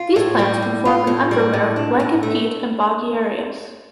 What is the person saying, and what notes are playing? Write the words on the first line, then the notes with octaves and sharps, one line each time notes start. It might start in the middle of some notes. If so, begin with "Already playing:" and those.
These plants can form an underlayer of blanket peat and boggy areas.
Already playing: F4
A2
G3
A2
F4
A2
G3
A2
D4
A2
A3